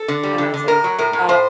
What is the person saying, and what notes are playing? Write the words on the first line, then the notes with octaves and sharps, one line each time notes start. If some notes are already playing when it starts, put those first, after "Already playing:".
and I was like, "Uh,
Already playing: A4
D3
G3
D3
D3
A2 A#4
F#3
A2 A#4
A2
A2 C5